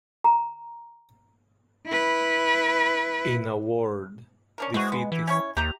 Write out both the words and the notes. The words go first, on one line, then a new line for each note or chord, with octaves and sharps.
In a word, defeatist.
A#5
E4 B4
C#4 D4 A#4
E3 G#3 C4 F#4
B3
E3
C#4 E4 C#5
D#2 G4 A#5